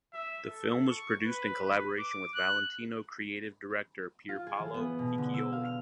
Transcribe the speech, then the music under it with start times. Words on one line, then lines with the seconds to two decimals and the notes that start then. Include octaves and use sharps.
The film was produced in collaboration with Valentino creative director Pierpaolo Piccioli.
0.13 E5
0.49 A4
0.90 C#6
1.25 B4
1.61 B4
1.99 D6
2.34 F#6
4.29 F4
4.47 G#4
4.59 E3
4.74 B3
4.99 B2
5.18 D3
5.34 E6
5.52 F5
5.65 F6